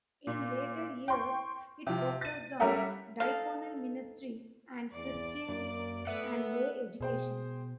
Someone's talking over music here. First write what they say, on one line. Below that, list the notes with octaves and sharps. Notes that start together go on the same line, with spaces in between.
In later years, it focused on diaconal ministry and Christian and lay education.
A#2
G5 C6 C#6
C3 F3
A6 D#7
G3 A3 C#4 A#4 E5 F#5
D#4 A4 F5
E2 D5
F#2 A#3
A3 B4 E5 F#5
B2 G#4 C5 G5